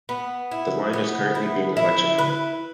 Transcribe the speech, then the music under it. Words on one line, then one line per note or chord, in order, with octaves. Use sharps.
The line is currently being electrified.
B3
E4
B3
E4
E4
B4